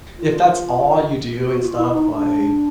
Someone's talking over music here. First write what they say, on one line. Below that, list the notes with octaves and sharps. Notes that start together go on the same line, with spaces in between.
if that's all you do and stuff, like,
F4
F#4
F4
E4
D#4
D4